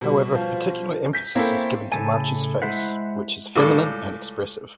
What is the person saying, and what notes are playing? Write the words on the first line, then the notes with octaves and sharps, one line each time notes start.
However particular emphasis is given to March's face, which is feminine and expressive.
B2 G3
F3
G6 B6
A#3 C4 C#4 E4 A4
A2 C#3 A#3 A4 G#5
G#3 E4 C5 E5 F#5
C#2 A2 G3 A4 D6